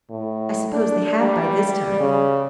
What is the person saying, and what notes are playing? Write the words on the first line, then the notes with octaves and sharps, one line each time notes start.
"I suppose they have by this time."
A2
D4
G3
C#3